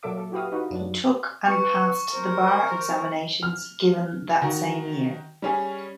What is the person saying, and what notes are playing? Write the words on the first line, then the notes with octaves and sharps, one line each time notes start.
He took and passed the bar examinations given that same year.
A#2 F#3 A#3 A4 E5 D6
A4
E4 F#4 G4 B4 F5 D#6
D#4 F#4 B4
F#2 F#3 D4
B4 C#6 C#7
A#4 C5
F6
D#3 F#4 A#5
G3 C#4 G#4